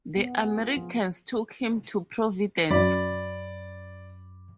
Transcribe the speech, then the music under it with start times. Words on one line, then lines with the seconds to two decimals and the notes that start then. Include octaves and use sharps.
The Americans took him to Providence.
0.17 B3
0.44 G#4
0.59 F4
0.77 F3
2.71 F#2 D5 B5